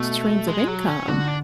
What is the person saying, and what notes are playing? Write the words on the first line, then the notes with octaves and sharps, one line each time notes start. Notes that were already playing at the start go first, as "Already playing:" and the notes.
streams of income,
Already playing: B2 A3
G#3
F#3
C#4
D3 F#4
D4